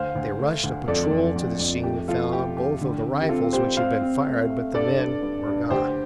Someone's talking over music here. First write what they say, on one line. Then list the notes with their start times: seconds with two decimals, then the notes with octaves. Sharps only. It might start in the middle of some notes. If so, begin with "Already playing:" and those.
They rushed a patrol to the scene and found both of the rifles which had been fired, but the men were gone.
Already playing: D2 C5 F5
0.15 D2
0.39 A3
0.64 D2
0.88 F2 A4 D5
1.11 F2
1.36 F2
1.60 F2
1.84 A3 G4
2.08 F3 F4 A4
2.33 A3 G4
2.57 A3 G4
2.81 D3
3.05 C4
3.21 G4
3.29 C4 F4 A4
3.53 G3 G4 C5
3.77 C4 C5 F5
4.01 C4
4.26 A3
4.50 A3
4.74 G2 A4 D5
4.99 G2
5.22 G2
5.46 G2
5.70 D2 G4 C5